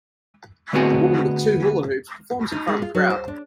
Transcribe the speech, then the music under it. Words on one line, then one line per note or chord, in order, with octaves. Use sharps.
A woman with two hula hoops performs in front of a crowd.
D3 A3 B3 C4 F#4 G#4
D#4
G#3
F4
F#3
C5
D4